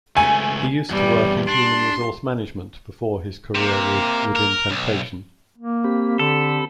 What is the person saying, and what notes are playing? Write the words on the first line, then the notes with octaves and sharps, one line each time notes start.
He used to work in human resource management before his career with Within Temptation.
C#2 A3 G#5
E2 G2 G3
D4 C6
C3 A#3
A#4
B1
A#3
C4 G4 B5
D3 A4